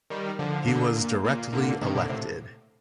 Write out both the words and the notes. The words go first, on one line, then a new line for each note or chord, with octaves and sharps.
He was directly elected.
D#3 G3
D3 F3
A#2 D3
A#2
A#2
A#2 D3
C3 D#3
A#2 D3
A2 C3